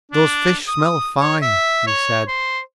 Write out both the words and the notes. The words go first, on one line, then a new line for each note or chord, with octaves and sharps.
"Those fish smell fine," he said.
D4
D#6
C#5
E5
C#5
C5